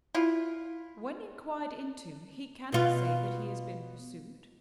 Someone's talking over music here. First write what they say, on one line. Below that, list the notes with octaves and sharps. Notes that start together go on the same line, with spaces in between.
When inquired into, he cannot say that he has been pursued.
E4 F4
B2 F4